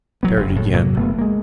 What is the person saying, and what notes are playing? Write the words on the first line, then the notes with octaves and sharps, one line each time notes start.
Parried again.
E3 F#3 B3
F#1
A2 A3
G#2 C3 F#3 A#3
F#1 A3 B3
G#3 A#3